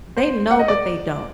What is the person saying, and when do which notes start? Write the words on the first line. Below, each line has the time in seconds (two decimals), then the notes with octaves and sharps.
they know, but they don't.
0.17 C5
0.51 F#5
0.59 D#5
0.68 D5